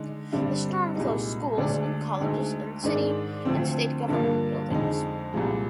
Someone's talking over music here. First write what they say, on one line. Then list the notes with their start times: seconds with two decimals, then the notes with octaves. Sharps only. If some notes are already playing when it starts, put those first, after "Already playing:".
The storm closed schools and colleges and city and state government buildings.
Already playing: D3 G#3 D#4
0.32 G2 D3 G3 C4
0.95 C2 A#2 G#3 D#4
1.57 D2 D3 G#3 D4
2.20 D2 D3 G#3 D#4
2.83 G#2 D#3 G#3 D4
3.45 D2 D3 F3 C4
4.08 G2 D3 F3 A#3
4.70 F2 D3 G#3 D#4
5.33 C2 A#2 F3 G#3